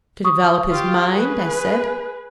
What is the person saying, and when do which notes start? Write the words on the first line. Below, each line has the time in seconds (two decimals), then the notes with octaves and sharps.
"To develop his mind," I said.
0.25 C#6 D#6
0.71 F4 G4
1.10 G#4 B4